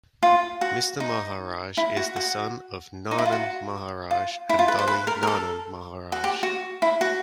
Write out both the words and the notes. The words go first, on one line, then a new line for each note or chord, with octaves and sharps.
Mr. Maharaj is the son of Nanan Maharaj and Dolly Nanan Maharaj.
F4
F#4
D#4
E4
F#4
F#4
D#4
E4
F4
F#4
F4
E4
F4
B4
C5
B4
A#4
A#4
A4
F#4
G4
F#4
E4
F#4